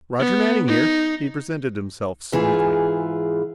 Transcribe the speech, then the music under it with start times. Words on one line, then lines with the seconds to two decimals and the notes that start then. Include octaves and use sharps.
"Roger Manning here," he presented himself smoothly.
0.19 B3
0.68 D#4
2.32 G#2 E3 F4 G#4